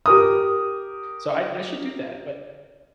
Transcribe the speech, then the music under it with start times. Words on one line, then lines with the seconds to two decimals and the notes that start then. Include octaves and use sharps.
So I I should do that, but
0.06 G4 A#4 D#6